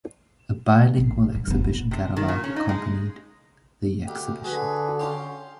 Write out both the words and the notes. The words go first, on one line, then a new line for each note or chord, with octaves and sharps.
A bilingual exhibition catalogue accompanied the exhibition.
A1 G#2
G#2
F#1 B3
E4
C3
D#3
A#2
C#4
D#4
G#3
D2 G4
D3 F#4 G#4 B4
C#4 F4 G4 C6